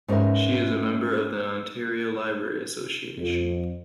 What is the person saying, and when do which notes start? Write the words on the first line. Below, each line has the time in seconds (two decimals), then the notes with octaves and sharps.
She is a member of the Ontario Library Association.
0.08 G#2 C#4 A#4 B4 E5
3.18 F2